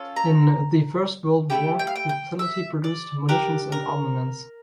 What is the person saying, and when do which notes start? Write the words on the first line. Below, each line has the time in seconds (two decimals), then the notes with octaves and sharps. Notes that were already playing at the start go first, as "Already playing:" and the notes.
In the First World War the facility produced munitions and armaments.
Already playing: C#4 F4 A4
0.16 A#5
1.50 A3 C#4 E4 G4 G5
1.79 G5
1.87 F5
1.96 G5
2.09 G5
2.39 E5
2.84 D5
3.29 D4 G4 A#4
3.72 A#4